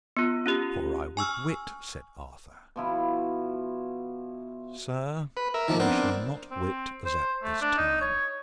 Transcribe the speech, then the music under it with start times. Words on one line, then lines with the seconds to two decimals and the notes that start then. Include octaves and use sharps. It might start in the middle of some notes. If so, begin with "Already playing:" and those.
For I would wit, said Arthur. Sir, ye shall not wit as at this time.
0.17 B3 F4
0.46 C#4 F4 G4
1.17 G#5 C#6 E6 F6
2.76 B2 F3 E4 F#4
5.37 B4
5.54 A#4 E5
5.68 D#3 F3 A#3
5.80 B3 C4 D4 A#4
6.51 C4
7.06 C5
7.43 A3
7.61 D4
7.78 D#4
8.01 C#5